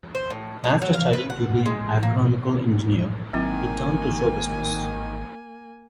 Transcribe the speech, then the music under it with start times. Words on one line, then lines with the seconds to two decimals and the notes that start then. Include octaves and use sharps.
After studying to be an agronomical engineer, he turned to show business.
0.15 C5
0.30 A2
0.64 G#3
0.82 F#3
0.94 F5
1.13 B4
1.30 F#5
1.66 G#3
2.03 A#3
3.33 G#1 D#3 F#3 A#3 C4 E4 G#5